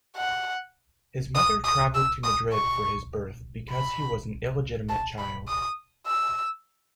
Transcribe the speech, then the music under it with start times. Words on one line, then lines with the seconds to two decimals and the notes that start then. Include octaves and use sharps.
His mother travelled to Madrid for his birth, because he was an illegitimate child.
0.17 F#5
1.35 D#6
1.64 D#6
1.94 E6
2.24 D#6
2.53 C#6
3.71 B5
4.89 A5
5.18 B5
5.48 D#6
6.06 E6